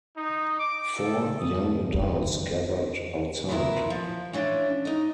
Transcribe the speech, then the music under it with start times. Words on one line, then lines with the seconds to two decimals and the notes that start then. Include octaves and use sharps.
Four young adults gathered outside.
0.16 D#4
0.59 D6
0.97 A4
1.39 D#6
1.94 F#2 D#3
3.48 E4 F4 G#4 A#4 B4
3.90 F3
4.33 E3 C#4 D4
4.85 D#4 D#5